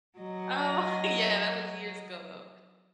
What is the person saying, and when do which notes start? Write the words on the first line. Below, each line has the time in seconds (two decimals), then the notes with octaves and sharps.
Oh, yeah, that was years ago, though.
0.19 F#3 D#5